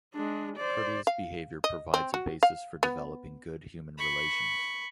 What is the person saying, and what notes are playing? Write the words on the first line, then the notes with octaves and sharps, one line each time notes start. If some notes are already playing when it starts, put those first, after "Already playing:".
Courteous behavior provides a basis for developing good human relations.
G#3 D4
C5 D5
F5
D#5
C4
F#4
F5
B3
B5 C#6